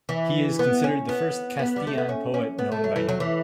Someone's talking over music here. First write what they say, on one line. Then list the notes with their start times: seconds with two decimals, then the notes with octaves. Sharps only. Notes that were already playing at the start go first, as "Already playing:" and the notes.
He is considered the first Castilian poet known by name.
0.09 E3
0.59 B3
0.84 C#4
1.09 B3
1.59 B3
1.76 G3
1.87 A3
1.98 B3
2.09 C#4
2.34 C#4
2.59 B3
2.72 A3
2.84 F#3
2.96 E3
3.09 F#3
3.20 E3